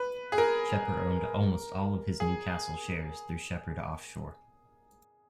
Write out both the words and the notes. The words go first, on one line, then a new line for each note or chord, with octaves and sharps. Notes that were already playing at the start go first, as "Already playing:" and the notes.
Shepherd owned almost all of his Newcastle shares through Shepherd Offshore.
Already playing: B4
G#4
A#4
G#4